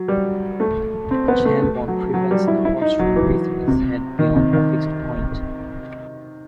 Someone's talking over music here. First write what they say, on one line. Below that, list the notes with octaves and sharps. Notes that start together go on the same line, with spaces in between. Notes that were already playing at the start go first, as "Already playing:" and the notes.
A chambon prevents the horse from raising its head beyond a fixed point.
Already playing: F#3
G3
A3
C4
B3
A3
A3
F#3
F#3
G3
E4
E4
D#4
F#3
E3
C3
D#3
C3
D#3